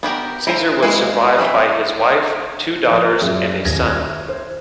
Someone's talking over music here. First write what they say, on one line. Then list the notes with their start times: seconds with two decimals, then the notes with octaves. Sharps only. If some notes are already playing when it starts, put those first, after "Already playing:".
Caesar was survived by his wife, two daughters, and a son.
0.03 B3 F#4 G4 A#4
0.47 E4 F4 C5 G#5 A#5
0.82 G#3 E4 B4 F5 G#5
1.38 E3 C4 B4 E5
2.91 F3
3.21 F#2 F#3 G#4 D5 E5
3.65 D#1 G#6 A#6
3.97 E5
4.28 C5